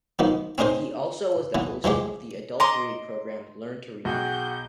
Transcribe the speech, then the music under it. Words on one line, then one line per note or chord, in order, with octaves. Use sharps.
He also was the host of the adult reading program, "Learn to Read".
D#3 F3 B3
C4 C#4 D#4 A#4 C5
E3 B3
E3 F3 G#3 G4
D#5 A#5 C6 D6
B1 F#4 G#4 F#5 G5 G6